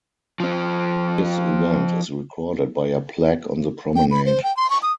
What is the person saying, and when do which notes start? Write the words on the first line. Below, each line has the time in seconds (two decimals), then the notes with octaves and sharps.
This event is recorded by a plaque on the promenade.
0.40 F3 C4
3.96 G5
4.11 B5
4.26 C5
4.43 G5
4.57 C6
4.70 C#6
4.82 D#6